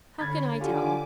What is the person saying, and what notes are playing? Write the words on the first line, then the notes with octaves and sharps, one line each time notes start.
'How can I tell?
D3 C#5 B5 G#6 A6 B6
D3 F4 G4 F5 G#5 D6